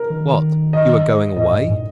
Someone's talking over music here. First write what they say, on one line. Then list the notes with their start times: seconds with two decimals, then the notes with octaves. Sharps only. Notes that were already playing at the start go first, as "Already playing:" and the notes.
What! you are going away?
Already playing: A#4
0.10 D#3
0.73 D#5
1.37 A2 D#5
1.52 G2
1.68 A2